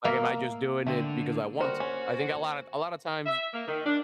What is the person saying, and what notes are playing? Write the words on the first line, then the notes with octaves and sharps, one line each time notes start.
"Like, am I just doing it because I want to?" I think a lot of a lot of times
A#3 E5 F5
D3 A3 C4
G3 F#4 A#4 C5
C#4
E5
A#3
D#3
D4